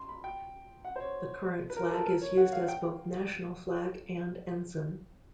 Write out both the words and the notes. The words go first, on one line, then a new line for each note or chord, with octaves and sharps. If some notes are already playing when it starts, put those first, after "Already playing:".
The current flag is used as both national flag and ensign.
Already playing: C6
B5
G5
F#5
C5
C#5
B4
A#4
A4
A#4
C#5
F#5
F5
G5